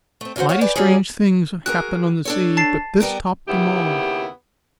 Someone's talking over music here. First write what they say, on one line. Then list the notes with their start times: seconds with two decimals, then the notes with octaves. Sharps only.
Mighty strange things happen on the sea, but this topped them all.
0.21 A3 C4
0.36 C#3 F#3 F4 F#4 C5
0.49 C#5 F5 F#5
0.61 B4 D5 G5 G#5
0.76 F#3 G3 A#3 C#4 G#4
1.66 F#4 G#4 A#4 F#6
2.25 D4 A4 C#5
2.57 A5 A6 C7
3.00 G3 B3 A#4
3.48 D#2 C#3 B3 E4 G4